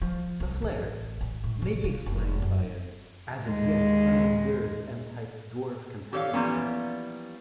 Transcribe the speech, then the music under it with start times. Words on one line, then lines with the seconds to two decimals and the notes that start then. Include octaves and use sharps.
The flare may be explained by an as yet unobserved M-type dwarf companion star.
0.02 F3
0.40 C2
0.62 A1
1.21 A1
1.44 A2
1.62 C3
1.84 F4
2.06 F1
2.42 F#2
3.45 D#2 G#3
6.13 G4 A4 C#5 F5
6.33 E3 F3 G3 A#3 B3 C#4